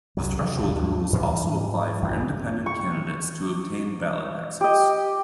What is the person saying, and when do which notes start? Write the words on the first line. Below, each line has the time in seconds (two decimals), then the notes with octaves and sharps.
The threshold rules also apply for independent candidates to obtain ballot access.
0.17 C2 F#2 F#3
0.37 B1 C3
0.62 D#2 G#2 D#3 D4
1.13 G#2 E3 G3
2.02 A1 F#2 D#3
2.66 C#6
4.61 G4 D#5